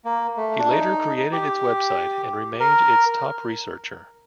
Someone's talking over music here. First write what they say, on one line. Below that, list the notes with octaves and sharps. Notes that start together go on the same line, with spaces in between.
He later created its website and remained its top researcher.
A#3
A3
D4
D#4
G4
A#4